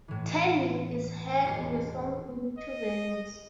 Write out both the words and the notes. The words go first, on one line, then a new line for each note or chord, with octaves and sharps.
"Tammy" is heard in the film in two versions.
A2 E3
E1 C7 C#7
D#5